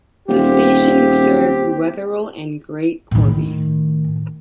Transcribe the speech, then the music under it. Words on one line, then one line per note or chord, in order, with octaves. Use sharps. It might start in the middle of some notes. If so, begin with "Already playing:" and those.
The station serves Wetheral and Great Corby.
D#1 C4 G4
A2 D#3